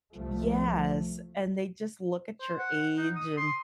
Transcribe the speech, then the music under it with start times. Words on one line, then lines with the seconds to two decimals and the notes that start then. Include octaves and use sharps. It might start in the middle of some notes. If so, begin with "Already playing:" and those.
Yes, and they just look at your age and
0.15 C2 F3 A3
2.41 C5
2.58 F#5
2.97 D#4
3.16 D#6
3.37 C6